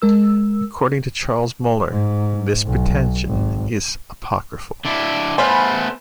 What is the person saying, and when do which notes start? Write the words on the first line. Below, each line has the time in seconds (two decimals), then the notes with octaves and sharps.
According to Charles Moeller, "this pretension is apocryphal".
0.02 G#3 A#4 E6
1.90 G#2
2.66 B1
3.27 G#1
4.85 D3 D4 E4
5.38 A3 B3 C5 G#5 B5 F6